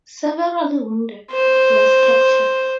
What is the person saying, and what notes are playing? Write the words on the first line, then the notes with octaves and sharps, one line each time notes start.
Severely wounded, he was captured.
C5